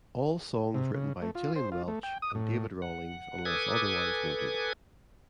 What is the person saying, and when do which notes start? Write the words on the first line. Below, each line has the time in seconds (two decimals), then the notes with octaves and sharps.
All songs written by Gillian Welch and David Rawlings unless otherwise noted.
0.74 C3
0.95 C#3
1.22 A3
1.35 F4
1.56 C5
1.72 F4
1.88 A3
2.03 G5
2.22 D#6
2.35 A2
2.82 F#5
3.45 A4 B4 G#5 D6 D#6 G#6